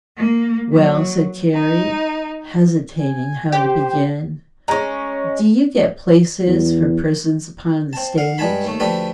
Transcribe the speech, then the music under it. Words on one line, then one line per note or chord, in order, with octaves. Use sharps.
"Well," said Carrie, hesitating how to begin, "do you get places for persons upon the stage?"
A#3
F#3
D#4
G#5
G4 C5
G#3 C#4 A#5
E2
C4 A5
F5 F#5
G2 G3 G#3 G#5 A5 B5
D#2 A3
D2 F3 D4 G4 A4 B4